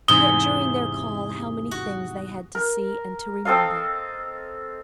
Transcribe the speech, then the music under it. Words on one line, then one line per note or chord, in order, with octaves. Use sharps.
Yet during their call how many things they had to see and to remember!
E2 G#2 C3 D#6 G7
F#4
A#4
C4 A4 D#5 F5